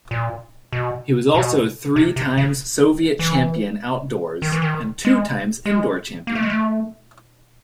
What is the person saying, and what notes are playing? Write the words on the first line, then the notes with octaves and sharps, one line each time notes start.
He was also three times Soviet champion outdoors, and two times indoor champion.
A#2
B2
B2
C3
C3
C#3
E3
D#3
E3
D#3
G#3
G#3
A#3
A3
G#3
A3